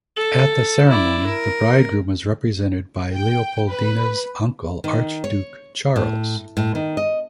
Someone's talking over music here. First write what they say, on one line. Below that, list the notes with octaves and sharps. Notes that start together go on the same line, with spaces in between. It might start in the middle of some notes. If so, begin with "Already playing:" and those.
At the ceremony the bridegroom was represented by Leopoldina's uncle, Archduke Charles.
A4
E4 D5
A#4
G5
B4
D#3
C#5
A2
A2
D#3
D#5